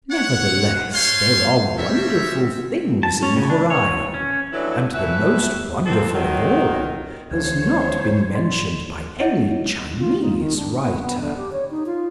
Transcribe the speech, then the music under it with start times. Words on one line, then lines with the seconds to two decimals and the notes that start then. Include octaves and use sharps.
Nevertheless there are wonderful things in Horai; and the most wonderful of all has not been mentioned by any Chinese writer.
0.11 C#5 F#5
0.94 C5 C#5 F5 G#5 C6
1.78 G3 C4 C#5 E5
3.03 A5
3.23 C#4
3.36 C#3
3.50 D4
3.70 C#5
4.14 C#4
4.53 F2 E3 F#3 A3 D4 E4
4.94 A2 E3 F#4 B4 E5
5.86 F2 A#2 C4 A4
6.13 A#2 D#3 F#3
7.31 D2 E3 D4 C5 C#5 G#6
8.35 D5 D#5 C6
9.20 E4 C#5 D#5 E5 F#5
9.99 F4
10.22 D#4
10.39 D#3
10.56 D4
10.82 B3
11.01 B3
11.21 D3
11.37 G4
11.52 C#5
11.70 D#4
11.86 F4